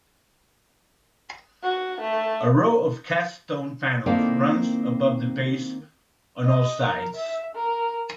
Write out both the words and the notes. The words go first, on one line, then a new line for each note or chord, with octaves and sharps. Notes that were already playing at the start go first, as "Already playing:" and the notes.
A row of cast stone panels runs above the base on all sides.
F#4
A3
D#3 A#3 C4 E4 A4 D5
D#5
A#4
E5
A#4